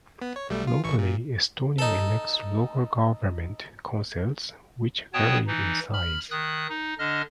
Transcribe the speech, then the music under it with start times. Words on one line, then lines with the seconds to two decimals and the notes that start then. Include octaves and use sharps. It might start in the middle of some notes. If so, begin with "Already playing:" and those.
Locally, Estonia elects local government councils, which vary in size.
0.22 B3
0.36 C#5
0.49 B1 G3 A3
0.67 F4
0.84 A1 E3 C#6
0.99 A#2
1.79 D#4 A4
5.14 B2 B3 C#5 G5 A5 D#6
5.47 E3 D#4
5.93 B5 F6
6.31 D#3 D#6 F#6
6.69 D#4
6.99 D3 D4 D#5 F6